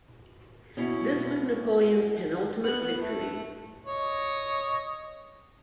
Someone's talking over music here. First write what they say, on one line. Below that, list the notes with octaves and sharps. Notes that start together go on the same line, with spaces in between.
This was Napoleon's penultimate victory.
B2 C#4 E4
B3 F#6
A3
C#5 D#5